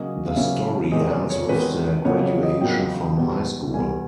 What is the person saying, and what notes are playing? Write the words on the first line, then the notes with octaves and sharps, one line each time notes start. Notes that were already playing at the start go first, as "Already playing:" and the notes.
The story ends with their graduation from high school.
Already playing: C#3 F#3 A#3 C#4 D#5
F5
C#3 F#3 A#3 C#4 E5
E2 C3 D#3 G#3 D#5
D5
C#5
E2 C3 D#3 G#3 B4
F2 C#3 F#3 A#3 C#5
C#5
D#5
F2 C#3 F#3 A#3 G5
E2 B2 G3
E2 B2 G3 G#5